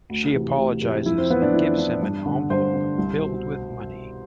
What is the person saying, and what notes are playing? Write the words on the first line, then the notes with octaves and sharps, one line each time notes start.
She apologizes and gives him an envelope filled with money.
D2
C3 E3
D2
C3 E3
F2 E4
C4
E3 B3
D4
F2 E4
E3 D4
G2 D4
D3
G2 C5
D3
C2
B2